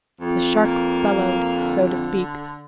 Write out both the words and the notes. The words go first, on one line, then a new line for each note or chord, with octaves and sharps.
The shark bellowed, so to speak.
F2
A#3
F2
D3